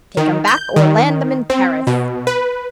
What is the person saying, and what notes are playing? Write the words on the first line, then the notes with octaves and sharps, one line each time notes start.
Take 'em back, or land them in Paris.
D#3
G6
D#3
C4
B2
B4